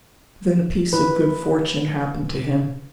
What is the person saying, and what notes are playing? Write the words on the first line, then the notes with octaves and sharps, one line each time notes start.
Then a piece of good fortune happened to him.
E3 B4